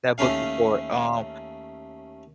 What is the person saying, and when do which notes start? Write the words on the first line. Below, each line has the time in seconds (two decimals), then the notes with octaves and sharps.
that book before, um
0.18 D#2 A3 C#4 F5